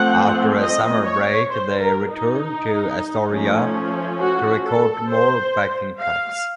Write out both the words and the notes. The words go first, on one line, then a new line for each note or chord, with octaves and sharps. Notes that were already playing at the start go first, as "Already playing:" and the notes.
After a summer break, they returned to "Astoria" to record more backing tracks.
Already playing: F3 A3 C4 F#5
D#5
C#5
C5
A#4
D#4
F3 A3 C#4
F#4
A4
C5
F5